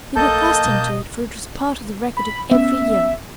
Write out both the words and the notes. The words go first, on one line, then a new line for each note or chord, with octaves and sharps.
They were accustomed to it, for it was part of the record of every year.
A#1 A3 A#3 A4 D#5 A5 G6
B2 D3
B5
B3 C#4 E5